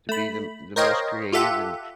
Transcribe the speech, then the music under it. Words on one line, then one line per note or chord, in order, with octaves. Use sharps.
to be the the most creative, and,
A3 B5
A#4 C5 C#5 D#5 F5 G5
F4 G4 A4 E5 F#5